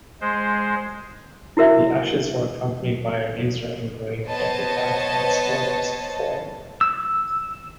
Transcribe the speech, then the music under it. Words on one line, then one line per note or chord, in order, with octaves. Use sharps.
The ashes were accompanied by a laser-engraved epitaph on a small piece of foil.
G#3 C5
E4 F#4 A#4 E5
B3 C5 C#5 D#5 A5
E6